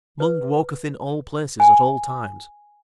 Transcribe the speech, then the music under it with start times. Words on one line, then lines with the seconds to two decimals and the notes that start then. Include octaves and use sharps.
Mung walketh in all places at all times.
0.20 B4
1.60 G#5